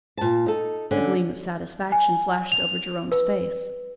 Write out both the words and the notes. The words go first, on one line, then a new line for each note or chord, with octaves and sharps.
A gleam of satisfaction flashed over Jerome's face.
A#2 A5
D#4 A4
D3 C#4
G#5
F7
B4